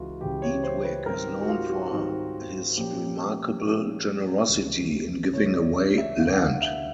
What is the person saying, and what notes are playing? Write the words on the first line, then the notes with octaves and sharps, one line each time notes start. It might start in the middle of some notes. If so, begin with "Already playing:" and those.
Eadwig is known for his remarkable generosity in giving away land.
Already playing: C#2 C#3 E3 F4 F#4
C#2 C#3 E3 G4
C#5
C5
B4
G#2 D#3 G3 C4 A#4
G4
F#4
F4
F#4
G#2 D#3 G3 C4
A#2 F3 A#3 C#4 G4
A#2 F3 A#3 C#4 G#4
C#2 C3 E3 G#3
C#2 C3 E3 G#3 C#5
D5
D5
E5
D2 D3 G3 F5
F#5
F5
E5